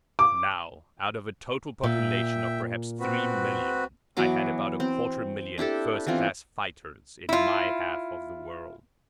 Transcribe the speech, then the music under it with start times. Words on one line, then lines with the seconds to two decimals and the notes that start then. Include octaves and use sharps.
Now, out of a total population of perhaps three million, I had about a quarter-million first-class fighters in my half of the world.
0.19 D6
1.84 A#2 E5 G5
3.00 C4 F#4 B4
4.17 E3 F#3 B3 D6
4.80 C4
5.58 D4 E4 G4 A4
6.07 E3 B3 C4 F4
7.29 E4 F4